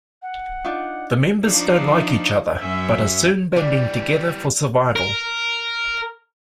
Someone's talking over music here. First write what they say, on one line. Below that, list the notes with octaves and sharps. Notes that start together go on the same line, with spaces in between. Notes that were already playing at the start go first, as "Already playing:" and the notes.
The members don't like each other, but are soon banding together for survival.
F#5
D4 D#4 F4
F3 D4 D#4
F#2 C#4 E5
E3 G3 D4
A#4